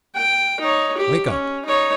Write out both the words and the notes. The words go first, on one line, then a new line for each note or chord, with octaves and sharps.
Wake up!
G5
D#4 C#5
G4
C#4
D#4 C#5